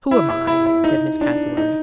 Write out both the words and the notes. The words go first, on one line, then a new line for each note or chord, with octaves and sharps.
"Who am I?" said Miss Cassewary.
E4
E4
E4
E4
D#4
D4
D#4